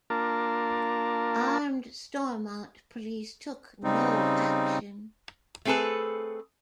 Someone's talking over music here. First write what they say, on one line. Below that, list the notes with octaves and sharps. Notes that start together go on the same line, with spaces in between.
Armed Stormont police took no action.
A#3 D4 F4 A#4 A5
C#3 G3 C4 D#4
A3 C4 G#4 A4 B4